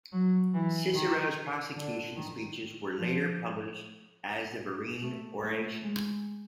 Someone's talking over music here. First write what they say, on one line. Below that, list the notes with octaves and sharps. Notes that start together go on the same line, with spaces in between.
Cicero's prosecution speeches were later published as the "Verrine Orations".
F#3
E3
D#3
D3
D#3
F3
A3
A3
G#3